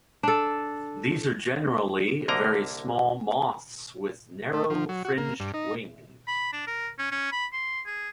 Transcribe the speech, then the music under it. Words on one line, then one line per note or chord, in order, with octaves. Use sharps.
These are generally very small moths with narrow, fringed wings.
D4 A4
C2 D3 A#3 A#4 D#5 A#5
A3
F3
F#3
F#4
A#3
G2
D#4
B5
D4
A#4
C#4
C#4
B5
C6
G#4